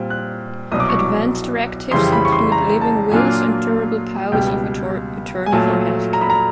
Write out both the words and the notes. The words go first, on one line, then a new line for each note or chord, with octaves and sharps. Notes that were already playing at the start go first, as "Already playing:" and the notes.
Advance directives include living wills and durable powers of attorney for health care.
Already playing: A#2 G3 C4
F#6
C2 B2 F#3 D#6
D6
C#6
D6
F2 C#3 E3 G3 C6
B5
C#6
C6
A#5
A5
A#2 F#3 A#3 D4 F4 G#5
C#2 B2 G3 G5
G#5
A#2 F#3 A3 A5
A#5
B5
A#5